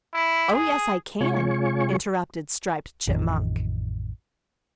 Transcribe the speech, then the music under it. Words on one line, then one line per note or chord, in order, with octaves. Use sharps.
"Oh, yes, I can," interrupted Striped Chipmunk.
E4
G#4
C3 G#3 F4 C#5 G#5 C#6
A1 F2 D#3